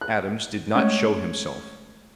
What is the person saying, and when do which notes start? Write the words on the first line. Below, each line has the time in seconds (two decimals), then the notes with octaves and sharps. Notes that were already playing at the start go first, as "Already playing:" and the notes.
Adams did not show himself.
0.01 F#6
0.75 G#3 A3 C#4 D#5